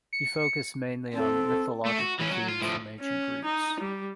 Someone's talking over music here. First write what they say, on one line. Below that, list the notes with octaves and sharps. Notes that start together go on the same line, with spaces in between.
He focused mainly on mythological themes from ancient Greece.
C#7
C4 A4
A3
F#4
E3 C#4
F#3
F4
A2 F3
C#4
D#4
G3